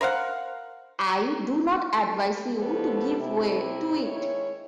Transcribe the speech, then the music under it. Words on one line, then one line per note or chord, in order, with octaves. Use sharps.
I do not advise you to give way to it.
A#4 C5 F5 F#5
B2 F3 B3 G4 A4
C3 E4
D#3 G#3 E4 C#5